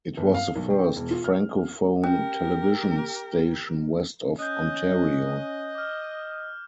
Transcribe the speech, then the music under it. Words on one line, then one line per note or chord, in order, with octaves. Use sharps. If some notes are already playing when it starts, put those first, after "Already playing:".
It was the first francophone television station west of Ontario.
G1
F5
B1
G5
E1
F4
F6
C#4 G4 A#4 G5
C#4 D#5 F#6 G6
D6 F6